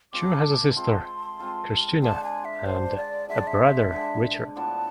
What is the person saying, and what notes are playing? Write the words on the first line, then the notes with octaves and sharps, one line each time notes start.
Chu has a sister, Christina, and a brother, Richard.
G#3 C4 F4 A4 D6
G#3 C4 F4 A4 C6
G#3 C4 F4 A4
D3 G#3 D4 G#4 A5
G#5
E5
D3 G#3 D4 G#4 C5
D5
D3 G#3 D4 G#4 E5
D5
E5
D3 G#3 D4 G#4
A2 F3 B3 D4 A5